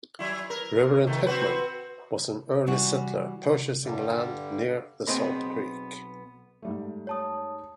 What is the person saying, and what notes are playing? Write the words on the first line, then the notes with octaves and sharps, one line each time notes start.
Reverend Heckman was an early settler purchasing land near the Salt Creek.
F#3 E4
A#4
A#2 D#3 A3
C4 F#4 B4
E3 G3 F#4
G2 D3 G3
B1 B3 C4 G#4 D#5 B5
G#2 G3 A3
C#5 A5 D#6